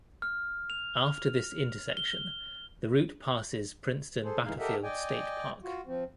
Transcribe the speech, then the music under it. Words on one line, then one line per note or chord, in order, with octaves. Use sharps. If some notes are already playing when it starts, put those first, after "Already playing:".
After this intersection, the route passes Princeton Battlefield State Park.
F6
F7
G7
G#4 A4 C5
D2 G2 E3 G#3 D#4 F5
G4 A4 A#4 D#5 E5 F#5
D5 D#5 G5 G#5
F4 F#4
F3 C4